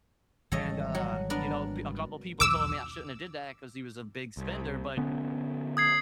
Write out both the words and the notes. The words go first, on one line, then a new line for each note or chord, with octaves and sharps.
And, uh, you know, pe a couple people told me I shouldn't have did that because he was a big spender. But,
G#1 E3 G3 A4 C#5 D#5
F#3
B3 D4 A#4
B1 E2 D#3 D6 E6
C2
D3 B3 C#4
D#6 G#6 C7